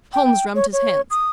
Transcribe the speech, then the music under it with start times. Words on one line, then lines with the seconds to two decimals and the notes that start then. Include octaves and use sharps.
Holmes rubbed his hands.
0.13 G5
0.55 C#5
0.73 C#5
1.11 D#6